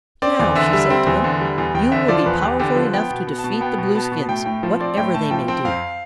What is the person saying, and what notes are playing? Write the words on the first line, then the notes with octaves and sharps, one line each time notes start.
"Now," she said to them, "you will be powerful enough to defeat the Blueskins, whatever they may do."
C4 D5
E2 D5
D3 E5
G3 E5
C4
E2
D3
G3
E2
E2 G5
D3 E5
F3 D5
E2 B4
E2 G4
D3 G4
F3 B4
B3 G5
B2
B3
A5
B2
B3 G5
B2
B3 A5
B2
A2 G5
A2 G5
F3
C4 D5
A2 G5
A2 A5
F3 G5
C4 G5
F2 F5